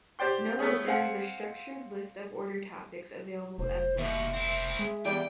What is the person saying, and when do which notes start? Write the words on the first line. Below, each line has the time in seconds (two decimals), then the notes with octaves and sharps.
Note that there is a structured list of order topics available as well.
0.19 G4 C5 D5 G5 C6
0.59 A3 B3 C#4 G#4
0.87 C4 F5 F#5 G#5
3.58 F1 C5
3.98 D#2 F#4 E5
4.33 C4 E4
4.79 G#3
5.05 E2 G4 D5 G5